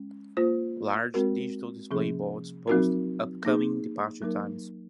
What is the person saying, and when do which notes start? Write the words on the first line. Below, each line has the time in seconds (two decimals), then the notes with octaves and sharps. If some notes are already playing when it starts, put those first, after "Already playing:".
Large digital display boards post upcoming departure times.
Already playing: G#3 C#4
0.37 A#3 F4 C5
1.14 G#3 C4 F#4 A#4
1.91 C3 F3 A#3 C#4 G#4
2.68 F#3 C4 D#4 F#4 A#4
3.45 A#3 D#4 G#4
4.22 F#3 A#3 D#4 A#4